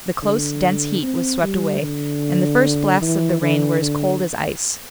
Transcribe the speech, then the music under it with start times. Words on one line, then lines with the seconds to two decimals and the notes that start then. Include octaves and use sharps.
The close, dense heat was swept away, and the first blasts of the rain were as cold as ice.
0.23 D3
1.03 C4
1.43 G3
1.82 D3
3.02 E3
3.42 D3
3.82 D3